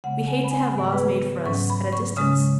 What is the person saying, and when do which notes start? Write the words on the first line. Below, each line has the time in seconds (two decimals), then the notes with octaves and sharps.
We hate to have laws made for us at a distance.
0.04 C#3 G#3 B3 F#5
0.27 G#5
0.44 B5
0.51 G#5
0.74 G#2 D#3 B3
0.92 B4
0.98 G#4
1.45 G#2 F#3 C#4 C#6
1.70 B5
1.93 C#6
2.16 C#3 G#3 C#4 D#6